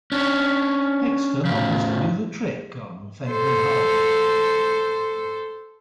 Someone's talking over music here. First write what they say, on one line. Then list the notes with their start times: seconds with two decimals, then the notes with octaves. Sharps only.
Hexton offers to do the trick on Fenton Hardy.
0.12 C#4 D4
1.45 A2 C#3
3.30 A4 C5